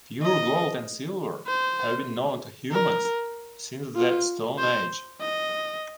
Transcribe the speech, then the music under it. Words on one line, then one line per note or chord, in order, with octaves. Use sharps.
Pure gold and silver have been known to humans since the Stone Age.
D#5
C5
A#4
F4
C5
D#5